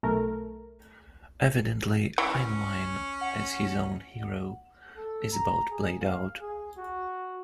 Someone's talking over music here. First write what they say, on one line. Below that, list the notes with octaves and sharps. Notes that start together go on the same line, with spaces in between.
Evidently, Heinlein as his own hero is about played out.
B1 A3 A#4
E3 C#4
F#5
A4
A#5
G#4
F5
G#4
F#4